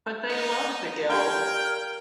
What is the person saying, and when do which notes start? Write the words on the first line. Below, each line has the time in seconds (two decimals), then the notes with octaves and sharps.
But they loved the Guild.
0.29 D#4
1.10 G4 A#4 D5 F5 G5 F6 G6 G#6